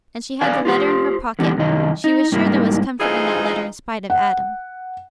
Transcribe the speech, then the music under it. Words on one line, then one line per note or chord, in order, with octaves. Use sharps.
And she had the letter in her pocket: she was sure there was comfort in that letter in spite of Adam.
D4 B4 D5 F5 G#5
F4 G4 C5
D3 E3 G3 B3 D4
C2 F#2 D#3 D#5
D#4
G#2 G3 A#3 D4 D#4
G2 E3 C4 D#4 F4 G#4
F#5